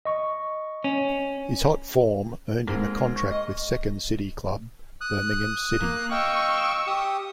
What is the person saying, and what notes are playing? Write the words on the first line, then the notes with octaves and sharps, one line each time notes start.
His hot form earned him a contract with second-city club Birmingham City.
D#5 C#6
C#4
G#2 A#3 C4
C#6
D#5
D#6 F#6
A#3
D#5 F5 G5 C#6 E6
G4 D#6